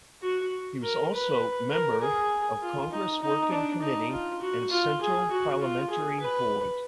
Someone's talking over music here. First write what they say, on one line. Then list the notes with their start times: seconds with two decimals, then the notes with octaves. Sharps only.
He was also member of Congress Working Committee and Central Parliamentary Board.
0.23 F#4
0.83 A#4
1.13 B4
1.72 A#4
2.02 G#4
2.62 F4
2.92 D#4
3.22 D#4
3.52 D4
3.82 D#4
4.11 F4
4.41 F#4
4.71 F4
5.01 G#4
5.31 F#4
5.61 F4
5.91 G#4
6.21 B4